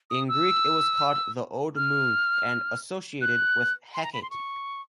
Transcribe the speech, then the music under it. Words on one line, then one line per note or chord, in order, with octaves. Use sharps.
In Greek it was called the Old Moon and associated with Hecate.
D#6
E6
F6
F#6
C6
A#5
B5
C6
C#6